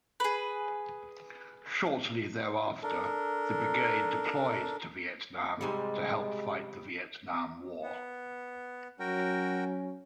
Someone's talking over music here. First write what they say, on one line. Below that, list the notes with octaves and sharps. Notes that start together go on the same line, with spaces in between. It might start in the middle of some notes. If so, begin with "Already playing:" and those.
Shortly thereafter, the brigade deployed to Vietnam to help fight the Vietnam War.
G#4 B4
D4 A4 A#4
G#2 C3 G3 G#3
B3
F#3 C#4 F#4 A#4 G5